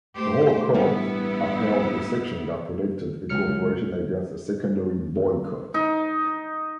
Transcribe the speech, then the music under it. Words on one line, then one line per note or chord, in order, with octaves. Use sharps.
The whole Court upheld a section that protected a corporation against a secondary boycott.
A3 G4 C5
A1 G2 G3 B3 E4
C#2 F#3 F6 C#7
D#4